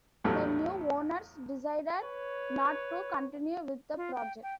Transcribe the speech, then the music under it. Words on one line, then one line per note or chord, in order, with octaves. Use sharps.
The new owners decided not to continue with the project.
A#1 E2 A2 F#3 G3 A3
B4 C#5
F4
G5
G5